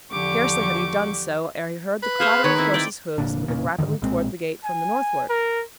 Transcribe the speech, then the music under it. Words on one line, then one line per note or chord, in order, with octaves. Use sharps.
Scarcely had he done so ere he heard the clatter of horse's hoofs moving rapidly towards the gate from the northward.
E2 D3 F3 G4 C#6 D6
B4
G#4 C5 C#5 F5
D#3 C#5
C4 E4
D5 G5
F1 A#2 D3
E1 A#2 C#3
G#2 B2 D3 D#3
B1 A#2 G#3 C4
G#5
A#4